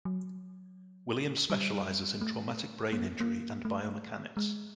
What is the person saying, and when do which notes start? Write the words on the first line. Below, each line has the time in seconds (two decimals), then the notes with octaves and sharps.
Williams specializes in traumatic brain injury and biomechanics.
0.05 F#3
1.50 G3
2.21 A3
2.93 A#3
3.20 A#3
3.65 A3
4.37 G#3